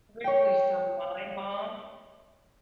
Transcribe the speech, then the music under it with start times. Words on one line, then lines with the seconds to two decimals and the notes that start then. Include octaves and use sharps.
strictly for my mom
0.24 C#5 G5